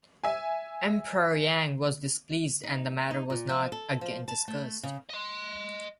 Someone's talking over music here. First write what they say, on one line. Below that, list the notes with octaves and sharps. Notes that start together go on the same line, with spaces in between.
Emperor Yang was displeased, and the matter was not again discussed.
E5 G#5
D#4
D#4
A#2
F3
A4
F3
A5
A3
C#3
D#5 C6